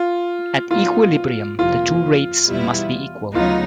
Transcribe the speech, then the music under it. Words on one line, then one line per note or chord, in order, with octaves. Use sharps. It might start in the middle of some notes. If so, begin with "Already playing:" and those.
At equilibrium, the two rates must be equal.
Already playing: F4
A#2 F#3 B3 D#4 F4 F#4
G1 F2 C3 F3 A#3 F4
E2 B2 G3 B3 E4
D2 C#3 F#3 B3 D#4 F4